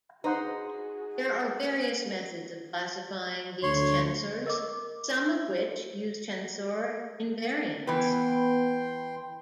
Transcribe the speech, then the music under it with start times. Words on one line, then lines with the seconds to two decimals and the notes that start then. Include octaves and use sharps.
There are various methods of classifying these tensors, some of which use tensor invariants.
0.24 D#4 F#4 G#4 B4 C5 F#5
3.63 D2 C#5 C6
4.46 A#4 D#5 D6
7.87 E3 B3 B4 G5 C6